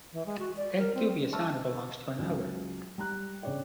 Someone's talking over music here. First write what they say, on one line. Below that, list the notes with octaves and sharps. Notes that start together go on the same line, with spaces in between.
That dubious honor belongs to another.
E3
G#3
F#4
D5
A#4
C4
D#5 E5 A5 C#6 E6 F6
C#2 F#3
G3 A#5 F#6
C#3 D4 G#4 C#5 D5 G5